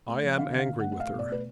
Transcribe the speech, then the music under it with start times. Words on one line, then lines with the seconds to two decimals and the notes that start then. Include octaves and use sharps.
I am angry with her.'
0.08 A3
0.23 F3
0.38 D3 F5
0.54 D3 F5
0.68 D3
0.80 F#5
0.84 A3
0.92 F#5
1.00 A3 F5
1.14 B2 D5
1.30 A3 B4